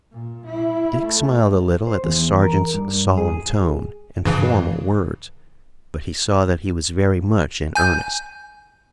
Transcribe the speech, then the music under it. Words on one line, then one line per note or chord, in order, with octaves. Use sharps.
Dick smiled a little at the sergeant's solemn tone, and formal words, but he saw that he was very much in earnest.
A#2
E4
A3
C5
E2
A#4
G2
G#4
G2 C#3 E3
G#5 G6